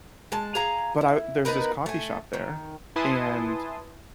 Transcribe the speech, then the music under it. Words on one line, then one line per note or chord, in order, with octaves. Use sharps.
but I there's this coffee shop there, and
G#3 A5
G#4 F5 A#5
E4
B3 D#4 A#4 B4
A3 G#5
D#3
E4 B4 G#5 A5 C6 D#6